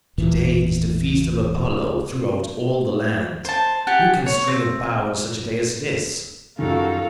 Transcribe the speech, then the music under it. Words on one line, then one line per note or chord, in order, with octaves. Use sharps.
Today is the feast of Apollo throughout all the land; who can string a bow on such a day as this?
G#1 E2 A#2 E3
C5 A5
G4 F#5 G#5 A5
C#5
C4
F#2 D#3 G3 C#4 F4 F#4 A4 A#4